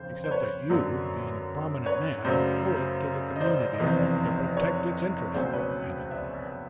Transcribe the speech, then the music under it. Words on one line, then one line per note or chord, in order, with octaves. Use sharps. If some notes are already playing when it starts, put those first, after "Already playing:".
"Except that you, being a prominent man, owe it to the community to protect its interests," added the lawyer.
Already playing: F1 D#2 C#3 C5
C5
B4 C#5
F#2 D3 F#3 B3 D4
B4 C#5
F#2 C#3 F#3 A3 C5 D5
D#5
C5 D5
D5
D#5
F1 E2 C3 E3
C5 D5
B4 C#5
C#2 B2 F#3 A3 C#4 C5 D5
C5
B4 C#5
D5 E5